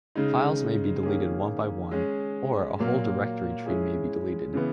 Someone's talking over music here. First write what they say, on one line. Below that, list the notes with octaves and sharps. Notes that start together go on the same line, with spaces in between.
Files may be deleted one-by-one, or a whole directory tree may be deleted.
C#3 G#3 D#4
D#3 A#3 C#4 G#4
G#3 C#4 G#4
A#2 F#3 A#3
G#3 C#4 E4 G#4
C#3 E3 B3